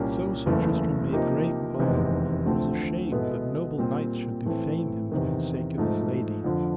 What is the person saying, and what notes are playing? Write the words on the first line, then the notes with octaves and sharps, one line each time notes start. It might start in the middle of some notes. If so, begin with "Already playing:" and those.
So Sir Tristram made great moan and was ashamed that noble knights should defame him for the sake of his lady.
Already playing: C2 A#2 G3 A#3 C#4
F#1 E2 C#3 E3 A3
C3 F3 A#3 D#4 G4
F1 E2 C3 D#3 G#3
D2 D3 F3 A3 C4
B2 G#3 B3 E4 A4
A#2 G3 C4
A2 E3 A3 C4
E2 C3 D#3
G#2 F3 A3
F2 D3 F3